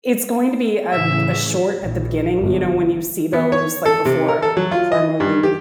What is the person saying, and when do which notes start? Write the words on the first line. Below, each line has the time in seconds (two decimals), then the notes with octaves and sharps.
it's going to be ab a short at the beginning, you know, when you see those, like, before a Pixar movie.
0.92 A2 C#3 E3 E5
1.80 A#1
2.37 G1
3.33 B3
3.52 C#5
3.85 A4
4.05 C3
4.28 A#4
4.42 A4
4.57 F#3
4.72 F4
4.92 D#5
5.20 G2
5.43 G4